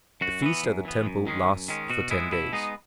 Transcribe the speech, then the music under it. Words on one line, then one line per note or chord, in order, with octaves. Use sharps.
The feast at the temple lasts for ten days.
F#2 F#4
E3 B3
F#2
E3 B3
F#2
D#3 G#3 C#4
F#2
D#3 G#3 C#4
B2 F#4
G#3 B3 E4
B2 E4
G#3 B3 D#4